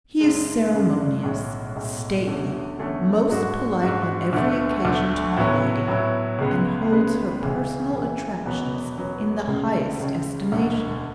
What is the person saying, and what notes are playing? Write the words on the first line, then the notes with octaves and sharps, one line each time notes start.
He is ceremonious, stately, most polite on every occasion to my Lady, and holds her personal attractions in the highest estimation.
F#2 C#3 G#3
F#2 C#3 G#3
B1 A2 G#3
B1 A2 G#3
E2 D3 A3 C#4
E2 D3 A3 C#4
G#2 G#3 D4 F#4
G#2 G#3 D4 F#4
D2 D3 A3
D2 D3 A3
A2 F#3 B3 E4
A2 F#3 B3 E4
C#2 C#3 G#3 B3
C#2 C#3 G#3 B3
C#2 C#3 E3
C#2 C#3 E3
E1 E2 B2 F#3 B3
E1 E2 B2 F#3 B3
C#2 C#3 G#3
C#2 C#3 G#3
E1 D2 D3